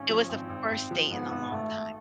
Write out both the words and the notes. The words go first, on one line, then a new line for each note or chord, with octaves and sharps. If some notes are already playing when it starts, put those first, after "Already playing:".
it was the first date in a long time.
Already playing: G#1 C#4
F3
G#1 C4
G#1
G#1
F3
G#2 B3
G#1
G#1 A3
G#1